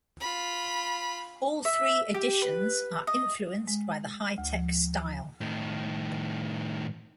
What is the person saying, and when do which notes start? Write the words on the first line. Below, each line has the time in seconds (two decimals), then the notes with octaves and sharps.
All three additions are influenced by the high-tech style.
0.20 F4 B5
1.65 E5
2.14 G4
2.42 B4
3.07 D#5
3.67 G#3
4.38 D2
4.53 F3
5.41 A2 D#3